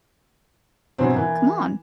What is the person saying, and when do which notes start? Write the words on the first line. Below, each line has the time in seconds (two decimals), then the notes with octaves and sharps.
Come on,
0.98 G2 B2 E3 F#3 B3 C4
1.15 E3 A#3